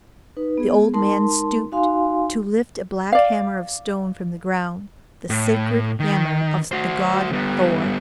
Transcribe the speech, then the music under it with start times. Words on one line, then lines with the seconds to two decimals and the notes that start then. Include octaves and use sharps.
The old man stooped to lift a black hammer of stone from the ground,--the sacred hammer of the god Thor.
0.37 D#4 B4
0.58 B3 G#4
0.94 G#3 D#4 A#4 A5 C6
1.72 D#4 F#4 F5 G#5 C6
3.12 D5 F5
5.30 A2
6.00 D#3
6.72 F#4 C5
7.33 G3 B3